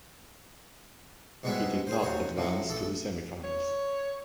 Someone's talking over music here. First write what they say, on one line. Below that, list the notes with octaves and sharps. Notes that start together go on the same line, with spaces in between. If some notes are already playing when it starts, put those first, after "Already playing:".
He did not advance to the semifinals.
G#2 B2 G3 G#3 B3 E4
G#4 C5
D#2 F#3 C5 C#5
A2 F3 F#3
A1 A4
C#5